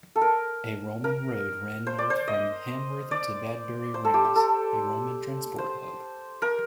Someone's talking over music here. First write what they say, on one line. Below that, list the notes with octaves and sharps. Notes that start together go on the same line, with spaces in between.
A Roman Road ran north from Hamworthy to Badbury Rings, a Roman transport hub.
A4
A#4
A#4
C5
D5
C5
D#5
D5
C5
A4
G4
G4
A4
C5
A#4